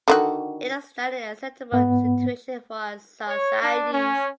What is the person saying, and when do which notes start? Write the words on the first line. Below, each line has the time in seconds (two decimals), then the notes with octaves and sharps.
It is not an acceptable situation for our societies"".
0.08 D3 D#3 F#4
1.72 G#2 B3
3.28 C#5
3.62 D4
3.92 C#4